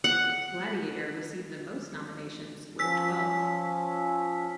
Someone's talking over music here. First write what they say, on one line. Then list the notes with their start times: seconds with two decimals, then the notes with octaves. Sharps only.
"Gladiator" received the most nominations with twelve.
0.04 F#5
2.79 F3 C#4 E6 B6